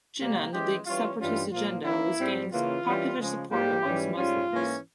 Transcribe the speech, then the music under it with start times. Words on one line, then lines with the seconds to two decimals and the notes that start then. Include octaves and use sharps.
Jinnah and the League's separatist agenda was gaining popular support amongst Muslims.
0.20 C3 G3 A#3
0.53 E3 G#3 C#4 G4
0.86 E3 G3 C#4 F4
1.19 G2 E3 G3 C#4 F4
1.52 A#2 F3 A#3 F4
1.85 E3 A#3 C#4 E4
2.19 G#2 G3 C4
2.51 C#3 E3 A#3 C#4 F4
2.84 E3 G3 C#4
3.18 C#3 F3 G#3 C#4
3.50 G#2 G3 A#3 G4
3.84 G#2 E3 G3 C#4
4.17 G#2 G3 C#4 F4
4.50 G#2 E3 A#3 C#4